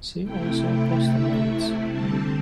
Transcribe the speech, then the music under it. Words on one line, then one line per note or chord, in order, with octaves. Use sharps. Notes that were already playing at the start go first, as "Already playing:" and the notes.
See also Apostolates.
C3 A3 E4 G5
G5
E5
D3 G3 C4 A5